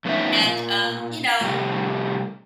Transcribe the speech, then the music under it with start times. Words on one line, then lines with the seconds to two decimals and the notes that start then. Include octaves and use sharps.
and, um, you know
0.05 F2 A2 B3 C#4 D#4 E5
0.44 A#2
1.41 A2 C3 G3